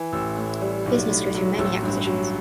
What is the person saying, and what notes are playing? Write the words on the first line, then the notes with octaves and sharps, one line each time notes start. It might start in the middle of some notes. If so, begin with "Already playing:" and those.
Business grew through many acquisitions.
Already playing: E3
A1 E6
A2
G3
B1
A2
F#3
A1 E6
G2
F#3